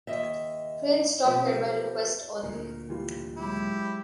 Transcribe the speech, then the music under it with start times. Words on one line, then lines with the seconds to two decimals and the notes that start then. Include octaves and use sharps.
Trains stop here by request only.
0.07 D#2 D#5 E5
1.25 B2 F3 G4 B4 C5 E5
2.43 D2 A#2 A#4
2.89 E3 G3 F4
3.37 F#3 G#3 E4 G4